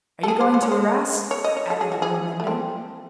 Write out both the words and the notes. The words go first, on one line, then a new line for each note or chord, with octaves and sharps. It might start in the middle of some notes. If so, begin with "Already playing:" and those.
"Are you going to Arras?" added the road-mender.
A4
G#4
C5
C5
C#5
C5
C#5
D#5
C#5
A4
G#4
F#4
G#4
A3
C4